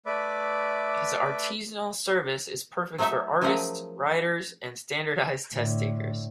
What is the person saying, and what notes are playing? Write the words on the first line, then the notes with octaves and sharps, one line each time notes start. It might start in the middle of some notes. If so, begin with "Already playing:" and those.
His artisanal service is perfect for artists, writers, and standardized test takers.
A3 B4 D5 E5 B5 D6
F#3 A3 D#4 A4 E5
F3 F#3 A3 C#4 G#4 A#4
A2 D3